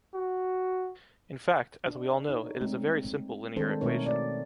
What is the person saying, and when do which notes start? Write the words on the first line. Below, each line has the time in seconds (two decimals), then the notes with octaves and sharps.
In fact, as we all know, it is a very simple linear equation.
0.14 F#4
1.87 D4
2.29 D#4 C#5
2.61 G#3 A3 C4
3.56 D#3 G#3 C4 D4 A4 C5
3.81 B2 A3 C4 D#4 A#4 C#5
4.06 D5